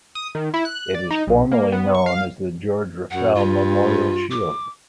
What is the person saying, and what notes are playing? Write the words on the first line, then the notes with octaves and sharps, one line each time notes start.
It is formally known as the George Ruffell Memorial Shield.
D#6
D#3
E4
F#6
D5
D#4
B1
A#3
B3
C#6
F5
F#2 F#5
G2 F4
D6